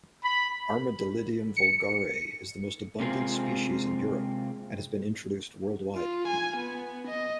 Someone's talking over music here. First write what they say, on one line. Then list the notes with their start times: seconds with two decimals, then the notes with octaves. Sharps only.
"Armadillidium vulgare" is the most abundant species in Europe and has been introduced worldwide.
0.24 B5
1.57 C#7
3.00 C3 G#3 A#3 C4 F4 G#4
5.95 F4
6.28 G#5
6.57 B3
7.07 D#5